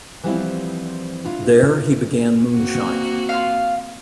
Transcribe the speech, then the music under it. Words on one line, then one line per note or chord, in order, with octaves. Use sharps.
There, he began moonshining.
E3 F3 G3 B3 C4 E4
D4 E4 F4
A#3 C4 F#4
F4 F5